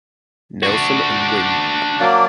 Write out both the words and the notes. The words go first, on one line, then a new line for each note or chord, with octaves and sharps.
Nelson and Wm.
D4 F#4
F#3 A#3 D5